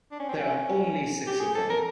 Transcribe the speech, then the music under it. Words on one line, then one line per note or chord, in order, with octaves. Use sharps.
There are only six of them.
D4
C#4
C4
C#4
G4
G#4
A4
A#4